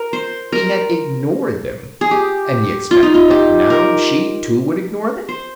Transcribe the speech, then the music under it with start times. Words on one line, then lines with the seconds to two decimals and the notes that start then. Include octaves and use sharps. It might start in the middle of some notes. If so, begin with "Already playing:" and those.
He had ignored them; and he expected that now she, too, would ignore them.
Already playing: A#4
0.13 C5
0.52 A#4
2.01 G#4
2.11 G4
2.91 F4
3.03 D#4
3.14 F4
3.31 G4
3.70 A#4
5.29 C5